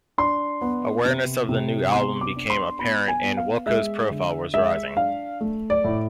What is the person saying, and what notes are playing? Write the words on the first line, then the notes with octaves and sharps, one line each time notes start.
Awareness of the new album became apparent and Wilco's profile was rising.
D4 C6
B3
C3
C3
B3 C6
D6
D4
C6
B3 B5
G#5
B3
F5
G#3 E5
D3
G#3 E5
D4 F5
A3
D5
A2